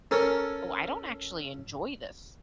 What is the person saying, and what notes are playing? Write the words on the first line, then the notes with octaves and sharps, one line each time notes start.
"Oh, I don't actually enjoy this
C#4 A4 A#4 C#5